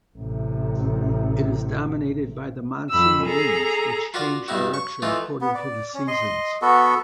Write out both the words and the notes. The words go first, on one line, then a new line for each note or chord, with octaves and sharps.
It is dominated by the monsoon winds which change direction according to the seasons.
A1 C3
F2 B5 E6
G#4 A4 A#5
F4 F#4 A#4 D5 F5
G2 B2 D#4 E4 F#4
C#6
E3 A3 D#4 F4
B3
D5
C#4
D#5 C6
B3 F#4 A4